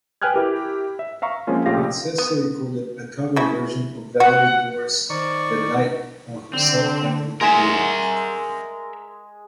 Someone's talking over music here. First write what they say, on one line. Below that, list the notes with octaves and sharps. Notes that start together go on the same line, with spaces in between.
Princessa recorded a cover version of Valerie Dore's "The Night" on her self-titled debut.
B4 G5 G#5 F6 F#6 G#6
E4 G4 A#4
E5
E5 F5 A#5 C#6
F3 G#3 A#3 C4 C#4 F4
A#1 A3 F4 G4 F5 A#6
B3
C#3 E4
F#4 F#5
D#3 C5 D5 C#6
D3 C4
G#3 A#4 E5 G#5